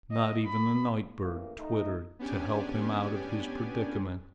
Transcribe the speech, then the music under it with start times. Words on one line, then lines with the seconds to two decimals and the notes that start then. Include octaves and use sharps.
Not even a night bird twittered to help him out of his predicament.
0.11 D#5
0.46 B5
1.21 A1 A2 A#3
1.57 A3 D#4
2.19 B3 C#4 D4 G4 D5 G#5